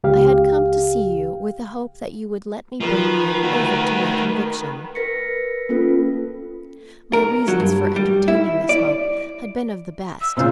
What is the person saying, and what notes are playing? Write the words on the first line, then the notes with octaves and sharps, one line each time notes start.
I had come to see you with the hope that you would let me bring you over to my conviction; my reasons for entertaining this hope had been of the best.
C#2 G4 F5
D#3 F3 B4
A3 F#4
A#4 B4 A#6 B6 C#7
A#3 C#4 F4 A4 B4
A#4
F#3
G2
G3
E4
D5
E6
A#2 C#3 F4 C5